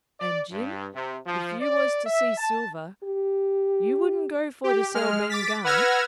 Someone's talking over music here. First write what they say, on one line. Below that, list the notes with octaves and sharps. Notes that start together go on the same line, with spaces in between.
And, Jim, if you was to see Silver, you wouldn't go for to sell Ben Gunn?
D5
G2
C3
F3
D5
E5
A5
G4
G4
G#3 F6
D6 A6 B6
B4 F#5 E6 F6 G#6 A#6